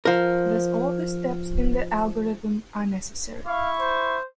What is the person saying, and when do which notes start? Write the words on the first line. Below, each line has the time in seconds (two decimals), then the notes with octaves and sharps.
Thus all the steps in the algorithm are necessary.
0.05 F3 A#4
3.47 E4 F5 C#6
3.80 C5